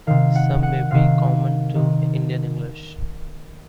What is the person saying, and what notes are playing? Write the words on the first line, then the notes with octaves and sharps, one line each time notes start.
Some may be common to Indian English.
C3 D#3 F5
F#5
F#5
C3 D#3 F5
C3 D#3